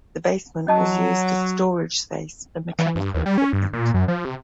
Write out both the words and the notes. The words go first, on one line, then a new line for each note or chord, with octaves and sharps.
The basement was used as storage space for mechanical equipment.
F#3 C#4 D#5 A5
E3
G2
D#2
G3
C#4
G2
A#2
F#2
F3
C3